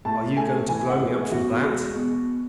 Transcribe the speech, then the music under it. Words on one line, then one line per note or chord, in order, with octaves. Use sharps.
Are you going to blow me up for that?
A2 A5
A3 G#5
E3 G#5
F#5
A2
G#4
E2 F#4
G#3
B2